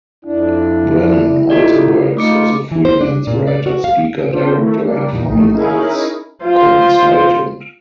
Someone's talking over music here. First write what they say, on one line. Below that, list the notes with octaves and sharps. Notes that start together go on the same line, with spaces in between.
Brannan also works as a freelance writer, speaker, director and fine arts consultant.
F2 D4 E4
A2 D#4 F4 G4 D5
A3 D#4 F4 D6 C#7
E3
C5
D4
A#2
D5
F#4
F5
C4 D4 F4 C5
D#3 A3 E4
G3 A#3 D4
E2 A#2 D#4
A#1 A2 A3 D#4
C#4 D#4 E4 G#4 A#4
F4 C5